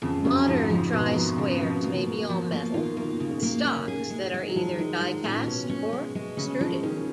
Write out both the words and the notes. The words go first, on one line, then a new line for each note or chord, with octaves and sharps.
Modern try squares may be all-metal, with stocks that are either die-cast or extruded.
F2 C#3
F#2 C#3
G#2 F3
F3
B2 F4
F3
C#3
F3
A#3
A#3
F3
A#3
D#3 F4
A#3
C#3
A#3
C#4
G#4
G#3
G#3
F#3
F3 G#3
D#3 G#3
G#3
A#2 C#4
A#2
B2 C#4
C#4
G#3
G#3
C#3 C#4
F3 G#3
D#3 C#4